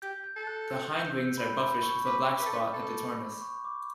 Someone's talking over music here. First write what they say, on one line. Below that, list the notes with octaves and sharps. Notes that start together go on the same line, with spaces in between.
The hindwings are buffish with a black spot at the tornus.
G4 G6
G6
A4
F#6
E6
G6
E6
B5
B5
C#6
B4 D6
B4
A4
B4
A4
C#6
D6